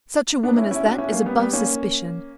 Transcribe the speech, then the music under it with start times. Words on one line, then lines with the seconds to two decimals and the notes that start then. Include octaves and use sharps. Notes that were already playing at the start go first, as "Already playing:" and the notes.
Such a woman as that is above suspicion.
0.43 B3 D4
0.57 C#4 E4
0.71 C#4 E4
0.84 D4 F#4
0.98 C#4 E4
1.12 A#3 C#4
1.26 G3 B3
1.39 G3 B3
1.53 A#3 C#4